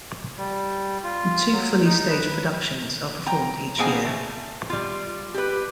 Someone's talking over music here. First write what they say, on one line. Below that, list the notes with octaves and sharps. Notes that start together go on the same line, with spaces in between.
Two fully staged productions are performed each year.
G3
F4
F#3
D#4
B4
G5 A#5
B2 A#3 C4 G#4 G#5
A3
G3 F4
G4 B4